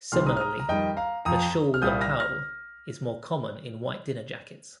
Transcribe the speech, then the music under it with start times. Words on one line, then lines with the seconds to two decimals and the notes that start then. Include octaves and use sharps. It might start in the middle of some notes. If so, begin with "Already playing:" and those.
Similarly, the shawl lapel is more common in white dinner jackets.
0.12 C2 C3 D#3 G3 C6 F6
0.26 A#5 D#6
0.37 F6
0.41 A#5 D#6
0.60 A#5
0.69 F2 D#3 G3 D#5 G5
0.97 F5 A#5
1.25 F2 F3 A#5 D#6
1.74 F6
1.82 C2 A#2 G3 D#6 G6
2.01 F6 A#6
2.20 F6 A#6